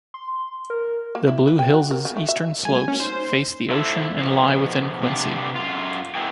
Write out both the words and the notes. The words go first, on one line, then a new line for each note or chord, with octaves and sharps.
The Blue Hills' eastern slopes face the ocean and lie within Quincy.
C6
A#4
A#3
E4
B4
G5
F#4
A#4
C#3
A3
E5
G3 A3 F#4 G#5
A#3 C#4
D#4 C5
E4 F4 A4 C5 E5
B2 F3
C3 B3 D4 F4
F#2 F4
G#3 A#3 B3 E4 G5 G#5